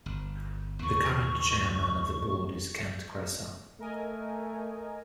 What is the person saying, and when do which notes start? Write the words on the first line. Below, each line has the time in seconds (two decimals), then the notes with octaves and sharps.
The current Chairman of the Board is Kent Kresa.
0.06 G1
0.82 D#2 C#3 E3 C#6
3.80 A3 A#4 D#5 G#5